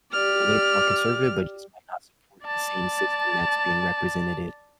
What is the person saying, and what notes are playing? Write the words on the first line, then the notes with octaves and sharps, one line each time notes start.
a little bit more conservative, but you just might not support the same system that's being represented,
G4 D5 F6
D5 A5